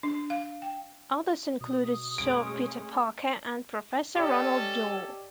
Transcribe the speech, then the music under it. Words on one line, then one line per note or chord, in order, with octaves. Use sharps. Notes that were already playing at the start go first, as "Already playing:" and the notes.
Others included Sir Peter Parker and Professor Ronald Dore.
D4
F5
G5
B2 D#6
G#3 A3 C#4 D7
C#4 G4 A4 D5 D#5